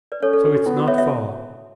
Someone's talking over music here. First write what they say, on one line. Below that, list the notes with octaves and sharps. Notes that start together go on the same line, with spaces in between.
"So it's not far?"
B4 D5
C#4 A4 C#5
A4
F#4
F#4
B3 E4
F#4
C#5 E5
C#5 E5